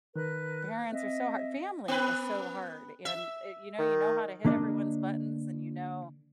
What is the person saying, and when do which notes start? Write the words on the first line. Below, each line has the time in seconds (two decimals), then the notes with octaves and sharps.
Parents are so hard family is so hard and it you know, you know how to hit everyone's buttons and you know,
0.16 D#3 A#4 B4 F#6
0.92 C4 D#5 E5
1.88 B3 B4
3.05 E5
3.79 D#3
4.45 D3 A#3 D4 D#5